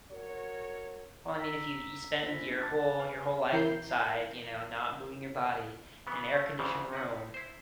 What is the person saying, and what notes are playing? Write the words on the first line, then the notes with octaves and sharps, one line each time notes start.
Well, I mean, if you you spend your whole your whole life inside, you know, not moving your body in an air-conditioned room,
F#4 A#4 C#5
A#5 E6 A#6 B6
A#3 D4 F4 C5 A#6 B6
A5 D6 F6 F#6 A6
B4 G#5 F6
E3 E4 A#4 G6 C7
C#3 E3 B3
A3 C#4
D2 C#3 E3 F3
D#4 E4 F#5
E4 C5